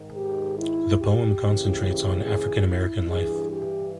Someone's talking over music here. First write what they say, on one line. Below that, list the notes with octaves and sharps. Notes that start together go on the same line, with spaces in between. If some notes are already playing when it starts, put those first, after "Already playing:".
The poem concentrates on African-American life.
Already playing: G#2 D#3
G4
E4
G4
D#2 C#3 E3
G#4
E4
G2 E3 G#4
G4